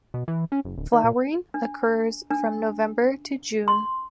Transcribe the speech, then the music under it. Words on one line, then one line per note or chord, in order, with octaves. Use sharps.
Flowering occurs from November to June.
B2
E3
C#4
F#1
D1
D#3
A#2
D4
D4
C6